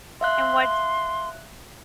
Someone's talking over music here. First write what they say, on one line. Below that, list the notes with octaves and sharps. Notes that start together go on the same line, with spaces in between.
And what's
E5 F5 C6 F#6